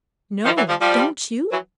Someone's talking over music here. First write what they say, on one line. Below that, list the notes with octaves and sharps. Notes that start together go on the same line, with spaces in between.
"No. Don't you?"
D#3 F3
E3 F#3
F3 G3
F3 G3
E3 F#3